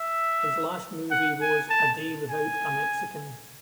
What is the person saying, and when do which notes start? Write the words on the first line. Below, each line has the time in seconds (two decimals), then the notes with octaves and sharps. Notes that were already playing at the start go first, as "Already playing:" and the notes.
His last movie was "A Day Without a Mexican".
Already playing: E5
1.11 F#5
1.41 G#5
1.70 A5
2.30 G#5